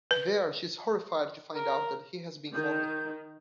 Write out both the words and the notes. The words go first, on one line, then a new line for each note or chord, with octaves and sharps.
There she is horrified to find out that he has been following her.
B4
A#4
D#3 G6